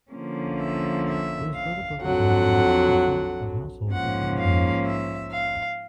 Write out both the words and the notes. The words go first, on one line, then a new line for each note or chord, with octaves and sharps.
It is further broken down by the percent of households with handguns.
D3 F3 A#3 C#4
E5
E5
F5
F2 D3 F#3 F#5
G#2 F3 A#3 C#4 F#5
F5
E5
F5